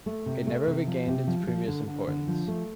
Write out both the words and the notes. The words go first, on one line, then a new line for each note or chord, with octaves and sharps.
It never regained its previous importance.
A3
C3
A3
C3
F3
C3
F3
F3
D3
D3
D3
F3
A3